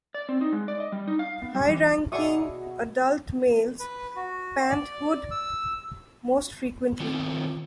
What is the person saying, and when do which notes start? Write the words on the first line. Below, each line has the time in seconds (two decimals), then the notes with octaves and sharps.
High-ranking adult males pant-hoot most frequently.
0.14 D5
0.29 C4
0.41 D#4
0.53 G#3
0.68 D5
0.80 D#5
0.92 G3
1.08 D#4
1.19 F5
1.42 B3
1.55 G3
1.70 E3
2.12 B2 B3 F#4 G#4 D5 E5 C#6 D#6
3.80 B4
4.16 F#4
4.69 D5
5.31 E6
7.00 D#3 A3 B3 C4 F4